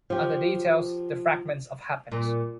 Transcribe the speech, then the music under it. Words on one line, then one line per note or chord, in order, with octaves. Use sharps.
Other details, the fragments of happiness.
F3 G4
A#2